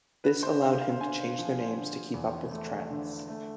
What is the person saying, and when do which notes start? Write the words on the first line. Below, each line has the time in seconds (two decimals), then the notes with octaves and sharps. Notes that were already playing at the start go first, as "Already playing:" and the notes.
This allowed him to change their names to keep up with trends.
0.24 D3 B4
0.43 C5
0.62 D3 F5
0.81 F5
1.00 D3 G#5
1.39 F3
1.77 D3
2.14 E2
2.52 A3
2.90 D3
3.28 A3